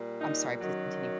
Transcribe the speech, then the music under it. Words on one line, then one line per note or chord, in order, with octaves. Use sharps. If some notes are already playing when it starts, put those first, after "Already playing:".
I'm sorry, please continue.
Already playing: A#2 G3
D#4
F#2 D#3 F#3